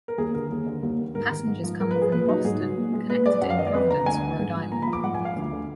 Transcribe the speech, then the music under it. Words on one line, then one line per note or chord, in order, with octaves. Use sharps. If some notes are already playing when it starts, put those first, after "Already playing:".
Passengers coming from Boston connected in Providence, Rhode Island.
A#4
D#2 G#4
D3 A#4
D#2
D3
D#2
D#3
G#2 A#4
D#3
G#2
F3
G#2 A#4
B4
F3
G#4
A#2 B4
F#3 D#4
G#2 G#4
F#3
A#2
G#3
A#2 B4
G#3 D5
F#2 F#5
F5
D#3 D#5
D5
F2 B4
D3 A#5
D2 G#5
D3
G#2
F3
A#2 A#5
B5
F3
D6
G#2 F#5
G#5
F3
F5
D2
D3